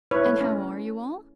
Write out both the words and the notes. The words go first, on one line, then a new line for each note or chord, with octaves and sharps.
'And how are you all?
E4 B4 C#5
A3
C#4